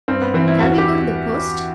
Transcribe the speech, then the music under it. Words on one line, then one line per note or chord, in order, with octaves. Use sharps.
Shall we go to the post?
G2 C4
B3
E3 C4
E4
E2 F#4
G4